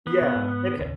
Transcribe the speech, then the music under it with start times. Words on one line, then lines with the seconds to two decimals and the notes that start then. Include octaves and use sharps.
Yeah, it ha
0.07 B3
0.21 B2
0.36 G#2
0.79 A1 D#2 C#3